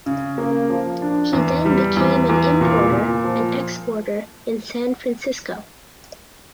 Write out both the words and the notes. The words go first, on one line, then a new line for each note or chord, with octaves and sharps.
He then became an importer and exporter in San Francisco.
C#3
A#3
F3
D4
E2
G3
E2
E2
A#2
A#2
F3